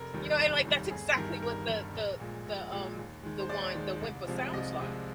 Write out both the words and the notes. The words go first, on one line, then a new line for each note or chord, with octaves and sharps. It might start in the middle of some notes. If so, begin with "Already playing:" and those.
You know? And, like, that's exactly what the the the, um, the whine the whimper sounds like.
Already playing: F1 A#4
D#2 D#3 G3
F1
D#2 D#3 G3
G1 G#4
G2 D#3 G3 A#4
G1 A#4
G2 D#3 G3
A#1
A#2 G#3
A#1
A#2 G#3
D#2
D#3 G#3
C5
D#2 D5
D#3 G#3
C2
C3 F3 G#3
C2 D#5
C3 F3 G#3